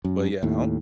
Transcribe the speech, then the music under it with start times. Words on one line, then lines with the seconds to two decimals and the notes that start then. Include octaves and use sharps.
but yeah, I don't
0.05 F#2
0.43 D#2 A2